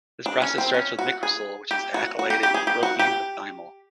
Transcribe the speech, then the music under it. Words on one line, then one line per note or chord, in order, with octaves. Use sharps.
This process starts from m-cresol which is alkylated with propene to thymol.
D4
C#4
C4
C#4
F#4
G#4
G4
F#4
F#4
G4
G4
G#4
G4
F#4
G4